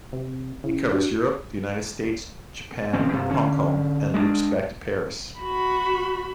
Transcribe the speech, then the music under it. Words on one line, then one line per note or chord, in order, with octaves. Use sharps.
It covers Europe, the United States, Japan, Hong Kong, and loops back to Paris.
C3
C#3 E4
D4 F#4
G1 E3 C4 C#4
G2 C3
D3 C#4
G#3 A3 D4
F#4 B5